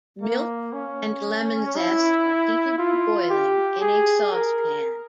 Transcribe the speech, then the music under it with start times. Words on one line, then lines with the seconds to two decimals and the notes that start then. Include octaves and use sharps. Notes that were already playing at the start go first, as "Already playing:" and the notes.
Milk and lemon zest are heated to boiling in a saucepan.
0.22 A#3
0.73 C#4
1.76 E4
2.78 F4
3.30 G4
3.81 G#4
4.32 A#4